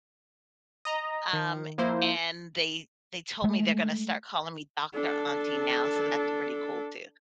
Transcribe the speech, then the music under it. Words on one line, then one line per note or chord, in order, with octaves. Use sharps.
um, and they they told me they're gonna start calling me Doctor Auntie now, so that's pretty cool too.
D#5 A#5
D#3
F3 A#3 E4 C5
G#3 A3
D4 A4